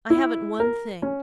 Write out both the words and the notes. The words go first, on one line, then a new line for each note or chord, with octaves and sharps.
I haven't one thing.
E4
A#4
C#4